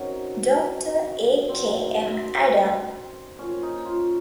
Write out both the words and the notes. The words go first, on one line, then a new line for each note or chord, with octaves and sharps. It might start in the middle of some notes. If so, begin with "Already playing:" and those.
Doctor A. K. M. Adam.
Already playing: C3 D#3 F#3 C#4
F#2 D#3 F#3 C4
A#2 F3 C#4
D#4
F4